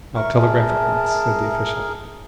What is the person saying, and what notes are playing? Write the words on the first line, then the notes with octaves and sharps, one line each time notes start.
"I'll telegraph at once," said the official.
A#4 E5 C#6
G#4 A#4 A5